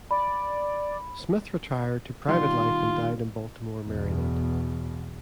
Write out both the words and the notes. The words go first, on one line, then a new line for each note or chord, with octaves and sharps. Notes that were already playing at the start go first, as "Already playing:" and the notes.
Smith retired to private life and died in Baltimore, Maryland.
D5 B5
B2 D#3 G3 F4 C6
E2 B2